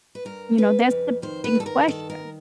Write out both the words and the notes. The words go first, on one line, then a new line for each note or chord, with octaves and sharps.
You know, that's the big question.
B4
G2 A#4
C#3 B4
F2
D#3 C5
B4
G2 A4
A#4
D#3 A4
A#4